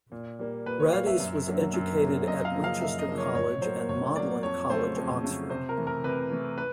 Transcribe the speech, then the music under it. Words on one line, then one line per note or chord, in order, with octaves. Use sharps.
Radice was educated at Winchester College and Magdalen College, Oxford.
A#2
G3 A#3
A#2 B4
C#5
G3 A#3 F5
E5
F#2
D3 F#3 A#3
F#2
D3 F#3 A#3
F#2 D#5
F5
C#3 F3 A#3
F5
F#2 E5
D#5
C#3 F3 A#3
C#5
A2 C#5
F#3 A#3 C5
A2 C#5
F#3 A#3 D5
F2 C#5
C#3 F#3 A3 C5
F2
C#3 F#3 A3
C3 C5
A#4
E3 A3
A#4
C3 B4
E3 A3
B4